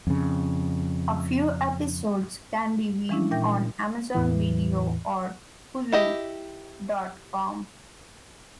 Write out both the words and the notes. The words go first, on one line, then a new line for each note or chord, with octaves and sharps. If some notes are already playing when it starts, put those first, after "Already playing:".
A few episodes can be viewed on Amazon Video or hulu dot com.
F2 C#3
E3 F3 G#3 C#4 D4 E4
A#2 E5 G5 G6 A#6
E2 A2 E3
E4 G4 D#5